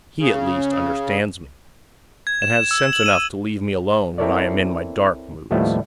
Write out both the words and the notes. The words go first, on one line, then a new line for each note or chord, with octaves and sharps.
He, at least, understands me--and has sense enough to leave me alone when I am in my dark moods.
C#3
G#6
E7
E7
E6
F#7
D#7
C4 E4 A4 A#4 C#5 D5
D#2 A2 F3 G3 A3 B3